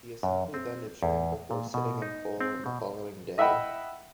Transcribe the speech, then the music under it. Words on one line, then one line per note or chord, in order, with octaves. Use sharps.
The assembly then adjourned before sitting in full on the following day.
F#2
C4
E2
A#2
B2
D#4
C4
B2
D#5 E5 F#5 G5 B5